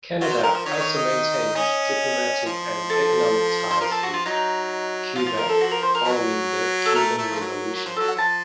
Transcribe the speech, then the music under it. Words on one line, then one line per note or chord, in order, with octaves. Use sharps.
Canada also maintained diplomatic and economic ties with Cuba following the Cuban Revolution.
F#3 F4 F#4
C5
F3 F4 A#4
C5
D#3 D#4 C#5
C#5
D#5
C#4 D#5
F3
A4
C5
F3 A#4
A4
F#4
F4
F#3 D#4
F3 F4
F4
A#4
A4
F#4
A#4
C5
A#4
F#3
A4
A3 A#4
A3
F3
F#3
F#3
F3 C5
F#3 A4
F#5
F3 A5